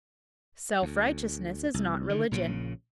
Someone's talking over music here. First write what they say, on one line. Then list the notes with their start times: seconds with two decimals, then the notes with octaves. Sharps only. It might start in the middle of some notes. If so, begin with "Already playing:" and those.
Self-righteousness is not religion.
0.82 D2
1.74 C2
2.09 D3 D#3
2.31 A#1 A#2 C#3